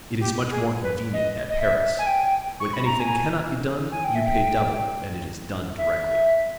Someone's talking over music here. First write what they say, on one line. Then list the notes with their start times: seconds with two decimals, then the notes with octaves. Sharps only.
"It is much more convenient at Paris,--when anything cannot be done, you pay double, and it is done directly."
0.21 G4
0.52 G#4
0.83 B4
1.13 D#5
1.50 D#5
1.59 E5
1.99 G#5
2.07 G5
2.60 C#6
2.73 B5
2.86 A#5
3.00 G#5
3.92 G#5
4.04 G5
4.15 E5
4.26 G5
5.78 E5